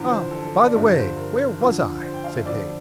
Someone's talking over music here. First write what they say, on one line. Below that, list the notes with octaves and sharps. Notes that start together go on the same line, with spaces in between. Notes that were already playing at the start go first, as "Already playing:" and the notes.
"Ah, by the way, where was I?" said he.
Already playing: E2 D3 F3
C5
A4
A4
D5
G2 D3 F3 E5
C5
A#4
F2 D3 F3
C5
G5
F5
E5
F2 D3 F3 D5